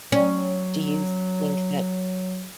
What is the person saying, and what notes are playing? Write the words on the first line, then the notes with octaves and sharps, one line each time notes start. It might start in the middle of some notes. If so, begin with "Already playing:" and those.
do you think that
F#3 C#4